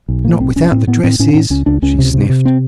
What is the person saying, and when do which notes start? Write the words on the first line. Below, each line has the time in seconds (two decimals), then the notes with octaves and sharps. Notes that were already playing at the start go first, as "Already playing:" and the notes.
"Not without the dresses," she sniffed.
0.08 B1
0.25 A2 A#3
0.40 B1 C4
0.56 B1 C#4
0.72 A2 C4
0.87 A2 B3
1.04 A2 C4
1.19 A2 C#4
1.34 A2
1.50 C#2 C#4
1.66 C#2 D4
1.82 C#2 C#4
1.99 C3
2.14 C3
2.29 C3
2.45 C4